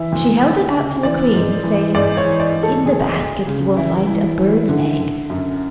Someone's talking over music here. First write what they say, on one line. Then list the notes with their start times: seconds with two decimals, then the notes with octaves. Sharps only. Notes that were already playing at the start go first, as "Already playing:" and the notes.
She held it out to the queen, saying, 'In the basket you will find a bird's egg.
Already playing: E3 E5
0.12 D2
0.42 D2
0.73 C#3
1.03 E3 D5
1.34 G#2
1.64 E3
1.95 G#2 D5
2.17 C#5
2.25 E3
2.40 D5
2.55 G#2
2.63 A4
2.85 D2 G#4
3.16 D2
3.47 C#3
3.77 E3 E4
4.07 E3
4.38 E3
4.69 D3
4.99 D3
5.30 F#2